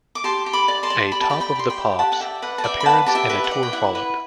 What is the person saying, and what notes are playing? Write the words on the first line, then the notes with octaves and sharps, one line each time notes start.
A "Top of the Pops" appearance and a tour followed.
D6
G4 A5 C6
G4
B5 D6
D5
A5 C6
D5
G4 B5
A5
D5 G5 B5
G5 B5
G4 C6
G5 B5
G4
G4 F#5 A5
F#5
D5 E5 G5
B4 F#5
A5
D5 E5 G5
B5
B4 F#5 A5
G4 A5
E5 G5
B4
F#5
D5
G5
E4 F#5
B4